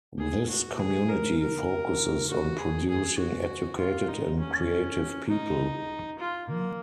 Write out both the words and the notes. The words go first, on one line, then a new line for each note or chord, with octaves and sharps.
This community focuses on producing educated and creative people.
G#4
F#4
G#4
A#4
A#4
F#4
G#4
G#4
F#4
F4
D#4
C#4
D#4
F4
A#3